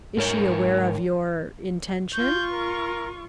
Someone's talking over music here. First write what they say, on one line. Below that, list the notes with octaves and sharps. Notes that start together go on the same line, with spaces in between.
"Is she aware of your--intention?"
G#2 A#4 C#5
F4 C#6 G6
A#4